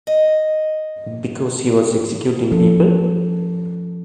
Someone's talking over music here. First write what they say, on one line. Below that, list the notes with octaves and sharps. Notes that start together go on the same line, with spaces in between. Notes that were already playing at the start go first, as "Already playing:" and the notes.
Because he was executing people?
D#5
F3 C#4 A4